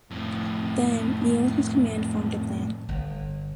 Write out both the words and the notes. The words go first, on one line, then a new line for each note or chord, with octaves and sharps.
Then, Neill and his command formed a plan.
F2 A2
G1